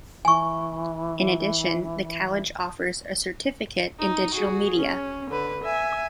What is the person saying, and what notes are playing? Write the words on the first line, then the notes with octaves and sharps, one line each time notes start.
In addition, the college offers a Certificate in Digital Media.
E3 G#5 C#6
D#4
F#4 G#4
C#4
D3 B4
E5 G#5